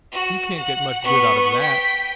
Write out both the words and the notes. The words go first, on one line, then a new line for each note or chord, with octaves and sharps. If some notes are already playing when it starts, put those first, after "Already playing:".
"You can't get much good out of that."
F#4
F#5
B3 C#6
G5 B6